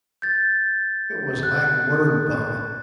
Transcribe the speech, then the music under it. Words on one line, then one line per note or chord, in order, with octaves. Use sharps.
It was like word vomit.
G6 A6
F#6